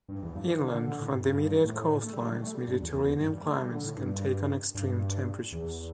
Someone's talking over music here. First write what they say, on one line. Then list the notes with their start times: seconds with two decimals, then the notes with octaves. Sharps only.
Inland from the immediate coastlines, Mediterranean climates can take on extreme temperatures.
0.08 G2
0.22 E2
0.35 G2
0.48 E3
0.61 D3
0.74 D3
0.87 D3
1.00 A2
1.12 G2
1.25 G2
1.65 A2
2.03 A3
2.13 G3
2.23 D3
2.32 G3
2.42 A3
2.54 G3
2.68 G2
2.81 E2
3.20 G2
3.32 G3
3.45 A3
3.58 G3
3.71 D3
3.84 A2
3.97 G2
4.74 G2
5.52 E2